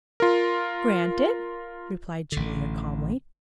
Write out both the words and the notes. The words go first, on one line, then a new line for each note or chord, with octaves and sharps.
"Granted," replied Julia calmly.
F4 A#4
A1 D3